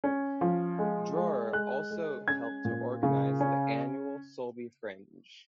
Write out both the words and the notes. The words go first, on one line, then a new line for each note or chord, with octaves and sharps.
Drower also helped to organize the annual Sulby Fringe.
C#4
F3
G#3
G#3
G#3 F#6
G#3
C#4 G#6
A#2
C#3
C#4